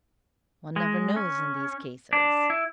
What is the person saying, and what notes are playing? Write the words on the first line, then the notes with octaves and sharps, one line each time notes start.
One never knows in these cases.
G#3
C#4
D4
E4